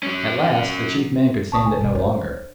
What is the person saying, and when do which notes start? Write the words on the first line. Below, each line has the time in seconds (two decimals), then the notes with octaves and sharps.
At last the Chief Man could stand it no longer.
0.03 F#3 C#4
1.52 C2 A5 C#6 D#6
1.66 G#5
1.81 B2 B3
1.95 D4 C5 C#5